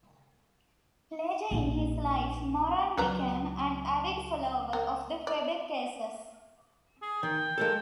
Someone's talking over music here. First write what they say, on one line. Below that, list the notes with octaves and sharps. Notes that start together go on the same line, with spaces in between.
Later in his life, Moran became an avid follower of the Quebec Aces.
A#1 D#4
C#2 F#3 F4 B4 A#5
A#4
D5
G#4
D#3 G5
G#3 A#3 A4